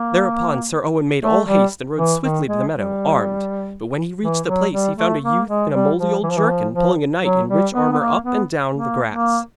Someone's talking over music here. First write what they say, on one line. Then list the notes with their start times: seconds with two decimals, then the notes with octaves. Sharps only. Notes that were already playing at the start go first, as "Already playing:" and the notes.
Thereupon Sir Owen made all haste, and rode swiftly to the meadow, armed; but when he reached the place, he found a youth in a mouldy old jerkin pulling a knight in rich armour up and down the grass.
Already playing: A#3
1.22 A3
1.47 G3
1.97 E3
2.22 D#3
2.47 G#3
2.72 G3
4.23 E3
4.48 F#3
4.73 G3
4.97 A3
5.23 A#3
5.48 G#3
5.73 G3
5.98 F3
6.23 E3
6.30 F3
6.38 E3
6.48 F3
6.73 F3
7.23 F#3
7.49 G3
7.73 B3
7.93 B3
7.99 A#3
8.24 B3
8.74 A#3
9.12 A#3